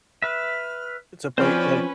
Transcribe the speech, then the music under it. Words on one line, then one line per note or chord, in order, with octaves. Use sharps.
to play, like,
B4 E5 F6
F3 C4 C#4 B4 C5 D5 F6